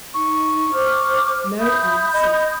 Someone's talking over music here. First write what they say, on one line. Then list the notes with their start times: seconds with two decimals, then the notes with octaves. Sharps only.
No answer.
0.14 D#4 C#6
0.73 C5 D6 F6
1.60 E5 B5 D#6 G6
2.13 D#5